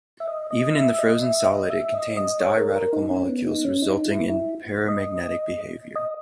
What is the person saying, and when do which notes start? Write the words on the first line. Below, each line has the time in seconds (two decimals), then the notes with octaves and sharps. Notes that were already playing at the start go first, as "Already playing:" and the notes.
Even in the frozen solid it contains di-radical molecules resulting in paramagnetic behavior.
0.20 E5
0.28 D#5
0.51 D#5
0.74 E5
0.99 D#5
1.22 E5
1.46 D#5
1.70 E5
1.93 D#5
2.17 D#5
2.40 C#5
2.57 A#4
2.75 A#4
2.93 D#4
3.10 C#4
3.29 B3
3.46 D#4
3.65 C#4
3.82 D#4
4.05 E4
4.30 E4
4.88 D#5
5.23 D#5
5.96 D#5